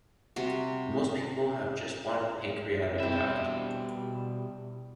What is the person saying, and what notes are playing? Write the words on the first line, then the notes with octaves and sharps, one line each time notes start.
Most people have just one pancreatic duct.
C3 G3 F#4
B2 G3 C4 E4 E5